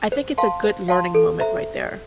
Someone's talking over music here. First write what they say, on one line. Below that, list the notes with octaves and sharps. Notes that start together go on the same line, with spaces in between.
I think it's a good learning moment right there.
C5
F5 A5 C6
C5
F5 A5 C6
A4
C5 E5 A#5